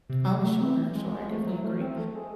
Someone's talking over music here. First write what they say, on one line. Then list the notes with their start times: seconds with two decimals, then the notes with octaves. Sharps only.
Oh, sure, sure, I definitely agree,
0.09 C3
0.27 F#3
0.43 A3
0.61 C4
0.95 G#3
1.12 G#3
1.30 A3
1.47 F#3
1.64 A3
1.81 C4
1.98 A3
2.15 G#3